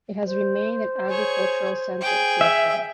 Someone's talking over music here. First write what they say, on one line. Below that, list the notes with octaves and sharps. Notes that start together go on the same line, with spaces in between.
It has remained an agricultural center since then.
C5
G#4 C#5
G#4 G5
E5